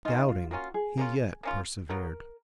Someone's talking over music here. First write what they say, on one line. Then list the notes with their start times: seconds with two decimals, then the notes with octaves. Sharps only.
Doubting, he yet persevered.
0.05 A#3 C#4 D#4 F4
0.29 F4
0.51 A#3 C#4 F4 F#4
0.74 G#4
0.98 A#3 C#4 F4
1.43 A#3 C#4 F4
1.89 C#3 F#3 B3 A#4